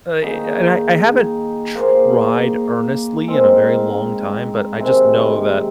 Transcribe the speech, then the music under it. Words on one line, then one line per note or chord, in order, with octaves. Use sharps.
uh, eh, and I I haven't tried earnestly in a very long time, but I just know that
D#3 A#3 D#4 G#4
A#3 G#4 C5
G#3 C4 D#4 A#4
C3 D#3 G#3